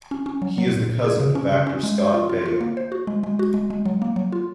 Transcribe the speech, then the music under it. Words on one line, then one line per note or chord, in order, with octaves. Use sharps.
He is the cousin of actor Scott Baio.
C#4
C#4
F#3
F#3
A#2
A#2
G#4
C#3
C#4
C#3
C#4
G#3
C5
F4
F4
F4
A#3
C5
F#4
G#3
G#3
F#4
G#3
G#3
F#3
A#3
F#3
F4